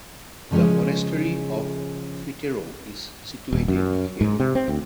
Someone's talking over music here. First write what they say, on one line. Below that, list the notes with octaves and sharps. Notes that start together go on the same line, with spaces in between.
The Monastery of Fitero is situated here.
C#3 F3 G#3 C#4 G#4
D#1
F#2
G#2
C3
C4
D2